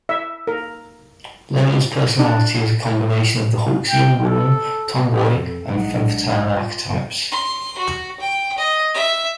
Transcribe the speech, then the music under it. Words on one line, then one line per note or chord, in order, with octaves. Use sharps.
Lola's personality is a combination of the Hawksian woman, tomboy and femme fatale archetypes.
E5
A#4
D4
G5
A4
A4
F2
B1 G#3 D#4 F#5
D4
F4
C6
F#4
G5
D#5
E5